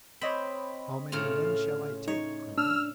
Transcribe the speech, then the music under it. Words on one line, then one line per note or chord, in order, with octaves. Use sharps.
"How many men shall I take, colonel?"
C4 C#5 D#5 B5
A2 C#3 F4 F6
D#4 C#5
D4 E6 F6